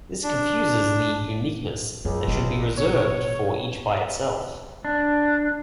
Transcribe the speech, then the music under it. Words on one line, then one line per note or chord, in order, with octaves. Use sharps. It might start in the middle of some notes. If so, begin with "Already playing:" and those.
This confuses the uniqueness that should be reserved for each by itself.
D4
C#2 F#2
A1 B2
C#5
D4